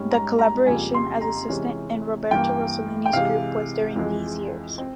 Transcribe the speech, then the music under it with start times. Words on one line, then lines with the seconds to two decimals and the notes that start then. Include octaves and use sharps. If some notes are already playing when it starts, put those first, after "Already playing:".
The collaboration as assistant in Roberto Rossellini’s group was during these years.
Already playing: G#2 G3 C#4
0.11 A#5
0.39 A#5
0.66 F2 C#3 G3 A#3 G#5
0.94 C6
1.21 A#5
1.49 C3 E3 G#3 C#4
2.31 G2 E3 A#3 G5
3.06 G5
3.13 C3 E3 G#3 F5
3.96 F2 E3 G#3
4.78 C4